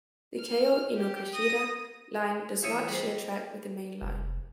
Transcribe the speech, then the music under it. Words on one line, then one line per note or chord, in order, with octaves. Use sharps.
The Keio Inokashira Line does not share track with the Main Line.
F6
G4
D#6 A#6
A1 F3 C#5 E5 C#6 D#6
G3 G#3 C4
F1